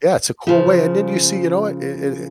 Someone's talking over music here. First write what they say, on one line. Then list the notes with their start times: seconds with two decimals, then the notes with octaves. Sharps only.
yeah, it's a cool way and then you see you know what? Eh eh
0.47 C#3 F3